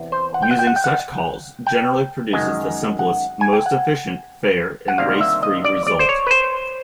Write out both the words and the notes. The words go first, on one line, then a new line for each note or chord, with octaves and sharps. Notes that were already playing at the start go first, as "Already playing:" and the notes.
Using such calls generally produces the simplest, most efficient, fair, and race-free result.
Already playing: E2 C3 E3
C5
F#5
G5
F#5
G5
F#5
G5
F#5
G5
F#2 D#3 G#3
F#5
G#5
G5
F#5
F#5
D2 C3 D#3 G3 A#3 F5
E5
D#5
D5
D5
C5
C#5
B4
C5